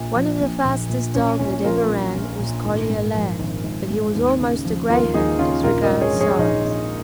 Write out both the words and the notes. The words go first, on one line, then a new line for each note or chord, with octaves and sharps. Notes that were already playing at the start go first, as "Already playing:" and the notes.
One of the fastest dogs that ever ran was Collier Lad, but he was almost a Greyhound as regards size.
Already playing: A#1 A#2
F3
A#1
A#1
A#2
A#1 C#4
A#2 C#4
F3 F4 A#4
A#1
A#1
A#2
G#1
G#2
F3
G#1
G#1
G#2
D#2
C#3
F3
D#2 F4 A#4
D#2 D#4 G#4
C#3 C#4 F4
A#1 F4 A#4
A#4 D#5
G#2
G#4 C#5
F3
G#4 C#5
A#1 D#4
A#1